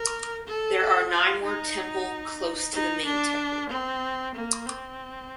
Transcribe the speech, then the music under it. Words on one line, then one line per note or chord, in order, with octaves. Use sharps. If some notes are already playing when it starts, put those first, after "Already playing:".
There are nine more temple close to the main temple.
Already playing: A#4
A4
F4
D#4
D#4
D4
C4
A#3
C4